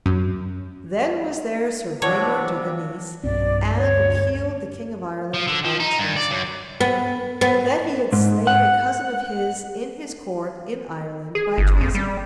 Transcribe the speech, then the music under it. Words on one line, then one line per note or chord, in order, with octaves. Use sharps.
Then was there Sir Blamore de Ganis, and appealed the King of Ireland of treason, that he had slain a cousin of his in his court in Ireland by treason.
F#2
G2 C3 E3 C#5 D5 F#5 A5
B1 G2 B3 C#4 D5
D2 C#5
F3
D3
F3
D#4
G2
D5
F#2
B3
B3
G#2
F#5
G#4
G1
F2
G3